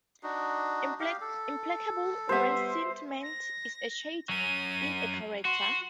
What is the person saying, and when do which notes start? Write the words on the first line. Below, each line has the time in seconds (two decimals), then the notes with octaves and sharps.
Implacable resentment is a shade in a character.
0.23 D4 D#4 F#4
1.00 G4 F5
1.21 A4
2.29 G3 B3 C5 E5
3.23 A#6
4.29 F#3 C#4 D#7
5.45 F#4 C6